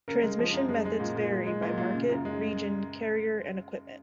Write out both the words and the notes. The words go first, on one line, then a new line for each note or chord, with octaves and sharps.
Transmission methods vary by market, region, carrier, and equipment.
C#3 A#4
G#3
F3
F#2
G#3
G#3
A#2
A#2
G#3
G#3
A#2
A#2
C#3
F#2
G#3